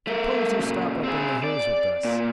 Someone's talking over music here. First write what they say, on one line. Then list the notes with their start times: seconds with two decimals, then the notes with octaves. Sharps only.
S'pose you stop up in the hills with us.
0.07 A3 A#4
0.59 A#2 C#3
1.04 C4 G#4
1.44 D5
2.05 A#2